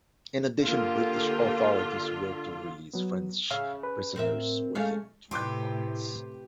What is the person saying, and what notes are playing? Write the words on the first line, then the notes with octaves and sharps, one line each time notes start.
In addition, British authorities were to release French prisoners within three months.
D3 A#3 F4 G4
F#3 B3
C#3 C#5 E5 F5
B4
A2 C4 A#4 E5
G#3 A3 C#4 F5
A2 C3 E4 G4 B4 C6 D6 G6